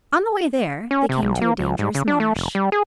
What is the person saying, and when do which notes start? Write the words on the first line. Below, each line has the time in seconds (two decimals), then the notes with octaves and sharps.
On the way there they came to a dangerous marsh.
0.91 C#4
1.09 C3
1.22 B1
1.41 A#3
1.59 C#2
1.79 G#2
1.95 C#3
2.08 D4
2.20 A3
2.36 F1
2.55 G3
2.72 G#4